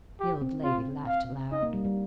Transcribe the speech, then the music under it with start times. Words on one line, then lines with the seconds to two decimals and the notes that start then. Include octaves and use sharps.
The old lady laughed aloud.
0.20 G4
0.42 C4
0.63 C4 F4
1.08 F5
1.52 D#4 D#5
1.62 A#3
1.74 G3
1.85 G3